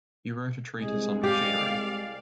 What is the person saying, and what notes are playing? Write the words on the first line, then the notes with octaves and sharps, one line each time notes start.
He wrote a treatise on machinery.
C2 G#3 G#4
G4 D5 F5